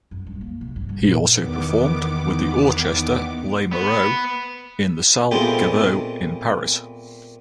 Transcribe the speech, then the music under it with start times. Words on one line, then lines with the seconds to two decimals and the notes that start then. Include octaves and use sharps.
He also performed with the Orchester Lamoureux in the Salle Gaveau in Paris.
0.11 F#2
0.26 G2
0.41 A#3
0.61 C3
0.76 G2
0.89 D3
1.03 A#2
1.34 E2 D#3 B3 D6
3.72 B3
5.31 A#2 G#3 A3 B3 C4 G4